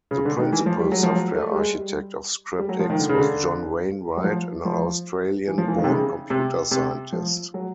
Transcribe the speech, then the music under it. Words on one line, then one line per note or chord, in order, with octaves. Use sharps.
The principal software architect of ScriptX was John Wainwright, an Australian-born computer scientist.
C#3
D3
D#3
E3
F3
G3
F#3
F3
F#3
A3
G3
G#3
G3
G3
F#3
F3
D#3
D3
C#3
D3
F#3
F3
F3
E3
F3
E3
D#3
C3
C#3
C3
C3
F3
F#3